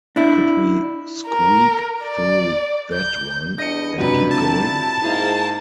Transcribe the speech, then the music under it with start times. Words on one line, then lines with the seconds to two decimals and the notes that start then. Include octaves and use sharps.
Could we squeak through "that" one, and keep going?
0.16 D4 E4
1.27 A#4
2.05 D5
2.93 G6
3.58 E2 G3 D4 D#5 A#6 C#7
3.98 C#2 F#2 C3 D4 B4
4.31 E4 A5
5.03 G#2 A#3 D#4 E4